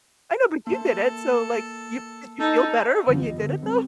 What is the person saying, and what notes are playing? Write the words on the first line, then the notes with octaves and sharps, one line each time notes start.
I know, but you did it, so, like, you did you feel better when you did it, though?
A#3 A4
D#4 A4
F#2 D3 E3 G3 B3 F4
D2 D#5
D3 B3 A4
G3 C4